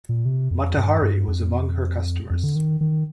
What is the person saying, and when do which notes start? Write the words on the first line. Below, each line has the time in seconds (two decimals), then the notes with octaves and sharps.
Mata Hari was among her customers.
0.09 A#2
0.25 C3
0.51 F2
0.77 G2
1.02 G2
1.28 F2
2.30 F2
2.44 D3
2.56 D#3
2.81 D#3